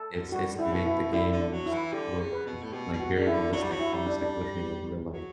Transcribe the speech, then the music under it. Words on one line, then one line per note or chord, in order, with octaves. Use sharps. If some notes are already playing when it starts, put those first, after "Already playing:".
it's it's to make the games look f like, very realistic, almost, like, literally, like, real life,
Already playing: A4
F#2
F#2
G2 F#4
D3 E4
C#3
B2
E4
D3 E4
D3
D4
F#3
E4
E3
D3 G4
C#3
B4
B2
A2
B2 G4
B2
F#4
C#3 D4
E4
D3
F#3 D4
G3
F#3
E4
G3
D4
D4
F#3